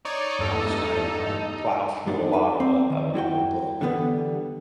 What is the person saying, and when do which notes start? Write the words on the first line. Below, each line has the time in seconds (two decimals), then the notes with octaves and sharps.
I'm just gonna g g plow through a lot of a of a of a book," or
0.05 D#4 C#5 D5
0.39 E2 G2 A4
2.07 E2 G2 D4 D#4
2.33 B4
2.60 C4
2.90 D#3
3.14 G3 E4 F#4 G5
3.81 D3 E3 G3 B3 B4